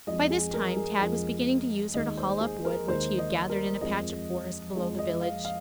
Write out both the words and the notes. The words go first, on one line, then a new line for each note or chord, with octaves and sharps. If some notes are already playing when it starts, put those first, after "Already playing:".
By this time, Tad was beginning to use her to haul up wood which he had gathered in a patch of forest below the village.
F2 F3 G#3 D#5
G#4
A#4
G#4
F2 F3 G#3
D#2 D#3 G#3 D#5
C5
G#4
A#4
D#2 D#3 G#3 C5
D#5
A#4
F2 F3 G#3 D#5
F2 F3 G#3
D#5
F5
F5